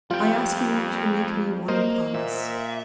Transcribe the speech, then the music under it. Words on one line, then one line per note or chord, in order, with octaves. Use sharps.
I ask you to make me one promise.
F2 G3 F4 G5
A#3 A#4 C5 D#5
A#2 E5